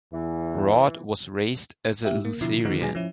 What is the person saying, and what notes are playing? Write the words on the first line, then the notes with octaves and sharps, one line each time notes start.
Rod was raised as a Lutheran.
E2 E3
E4 G4 E5
A#3
B2 D3 F3 E4 C7
D3 D#3 F3 G#3 B3 D#4
B2 F#3 G#3 B3 G#5 A#6
F3 C#4 E4